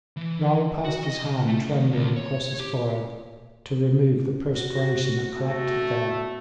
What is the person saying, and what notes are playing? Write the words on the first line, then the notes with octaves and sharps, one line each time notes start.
Raoul passed his hand trembling across his forehead to remove the perspiration that collected there.
E3
F#4
D#5
C#3
A3
D#3
D2
C#5
G4
F#4
B2 A3